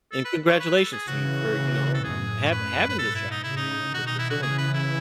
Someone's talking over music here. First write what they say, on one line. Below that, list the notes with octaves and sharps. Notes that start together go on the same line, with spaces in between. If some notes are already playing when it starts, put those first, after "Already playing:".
and congratulations to you for, you know, um, hav having this job and and for pursuing this.
A4
B4
C#5
B4
A4
G#4
C#3 E3 F#4
A4
F#2 A2 G#4
C#5
B4
B4
G#2 B2 A4
E4
D#4
A2 C#3 E4
D#4
B2 D#3 F#4
D#4
E4
F#4
C#3 E3 G#4
B4
E4